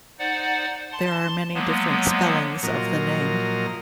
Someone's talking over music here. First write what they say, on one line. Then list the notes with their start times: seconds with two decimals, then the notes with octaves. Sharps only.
There are many different spellings of the name.
0.19 D#4 C5 D5 F#5
0.92 A5 C6
1.54 F3 F#3 G#3 A#3 B3
2.63 A#2 F3 F#3 A#4 D#5